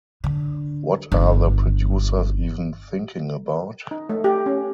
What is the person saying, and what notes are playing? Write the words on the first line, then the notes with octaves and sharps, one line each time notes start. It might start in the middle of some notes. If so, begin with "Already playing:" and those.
What are the producers even thinking about?
D3
G1
D#4
A3
G4
C#4